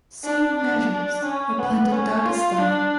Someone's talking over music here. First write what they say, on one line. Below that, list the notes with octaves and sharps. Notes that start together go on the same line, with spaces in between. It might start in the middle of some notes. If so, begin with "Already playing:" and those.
Same measures were planned in Dagestan.
D4
D4
D4
C#4
B3
C#4
F4
D4